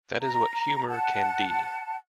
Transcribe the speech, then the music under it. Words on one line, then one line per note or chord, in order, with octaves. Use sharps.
That is what humor can d.
A#5
F#5 A5